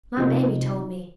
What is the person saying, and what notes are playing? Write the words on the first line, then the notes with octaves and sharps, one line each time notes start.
My mammy tole me.
C3 F3 D#4